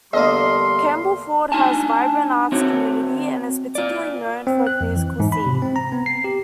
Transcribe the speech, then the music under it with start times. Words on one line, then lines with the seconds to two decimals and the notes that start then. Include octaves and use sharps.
Campbellford has a vibrant arts community, and is particularly known for its musical scene.
0.13 E2 D3 G3 A#3 D#5 C6
1.52 D4 D#4 G#5 A5
2.52 C4 F#4 C#5
3.75 F4 D5
4.47 C4
4.67 F#6
4.81 F2
4.96 E3
5.20 G#2
5.32 B5
5.46 C3
5.62 C4
5.76 A#5
5.92 B3
6.06 C7
6.24 G4